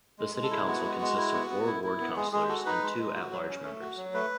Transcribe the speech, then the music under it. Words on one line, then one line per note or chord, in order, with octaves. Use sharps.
The city council consists of four ward counselors and two At-Large members.
G#3
G#3
A4
E4
B3 F#4
G#3
G#3
E4
B3
B3
E4
E4
B3
G#3 G#4
G#3 G#4
F#4 A4
D#4 B4
G#3
G#3
F#4
F#3
C#4
A3
F#4
F#3
A3 B4